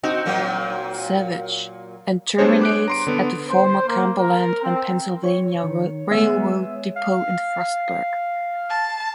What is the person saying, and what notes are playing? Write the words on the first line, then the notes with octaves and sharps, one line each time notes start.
Savage, and terminates at the former Cumberland and Pennsylvania Railroad depot in Frostburg.
C4 D#4 F#4
A#2 F#3 A#3
G3 B3 D4 G#4 C5 C#5
D6 F#6 D7
A#5 C6 D7
D3 B3
C5
A#3
A#4
C4
C#5
D#3
G#3 B3 E5 G#5
F5
A5